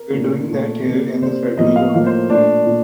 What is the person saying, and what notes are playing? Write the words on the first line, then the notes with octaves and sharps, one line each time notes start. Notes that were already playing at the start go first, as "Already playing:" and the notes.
We’re doing that here in the federal government.
Already playing: A#4
A#2 A3
A#2 A3
C3 G3 A#3
C3 G3 A#3 C5
A2 F3 A#3 D#5
F5
A2 F3 A#3 F5
C5
A#2 A3 D4
A#2